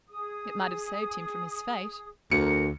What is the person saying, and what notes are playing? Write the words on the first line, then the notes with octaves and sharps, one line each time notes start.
"It might have saved him from his fate."
G#4 D#6
D2 A#4 C#7